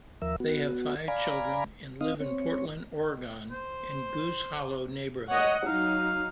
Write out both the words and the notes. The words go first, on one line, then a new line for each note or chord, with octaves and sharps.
They have five children, and live in Portland, Oregon in the Goose Hollow neighborhood.
D#2 F3 A#4 E5 E6
B3 F#4
D5 F5 G#5 A#5 B5
C4 D#4 D#5 F5
C4 C#5
C5
C#5 D#5 F#5
F#3 D#4 F5